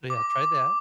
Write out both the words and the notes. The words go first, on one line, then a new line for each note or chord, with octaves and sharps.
So yeah, try that.
D6